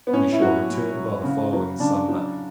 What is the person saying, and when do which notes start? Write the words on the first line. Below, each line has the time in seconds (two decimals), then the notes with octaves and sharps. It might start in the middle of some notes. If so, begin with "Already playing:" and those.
We shall return by the following Sunday.
0.07 B3
0.13 A2 C#4
0.32 E4
0.41 F#3 F#4
0.69 A2
0.96 F#3
1.24 C#3
1.53 F#3
1.79 C#3 D4
2.08 F#3